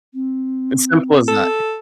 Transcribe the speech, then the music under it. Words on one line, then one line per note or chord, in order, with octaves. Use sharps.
It's simple as that.
C4
A4